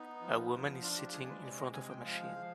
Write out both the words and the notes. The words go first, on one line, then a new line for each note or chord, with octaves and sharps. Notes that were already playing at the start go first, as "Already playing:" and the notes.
A woman is sitting in front of a machine.
Already playing: B3 D#4
F3
F3
D4 F4
G4
G#3 G#4
B4
C3 D5
D#5
G#3 G#5
G5
F3 F5
F3